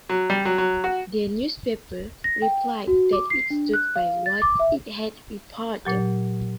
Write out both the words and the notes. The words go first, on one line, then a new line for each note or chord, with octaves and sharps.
The newspaper replied that it stood by what it had reported.
F#3
G3
F#3
F#3
F#4
A#6
G5
F#4
D6
C7
D4
F#6
F5
A6
D6
E5
A#2 F#3 G4